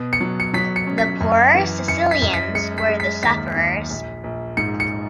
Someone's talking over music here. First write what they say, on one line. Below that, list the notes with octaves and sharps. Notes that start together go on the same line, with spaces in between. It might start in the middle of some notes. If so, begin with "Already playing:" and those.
The poorer Sicilians were the sufferers.
Already playing: B2
C#7
F#3
C#7
F#3 B6
C#7
C#4
B6
F#2
E3
F#2 C#7
B6
F#2
B6
G#3 C#7
B6
G#3
B6
D#2 B6
D#2
A#1
A#1
G#2 C#7
C#7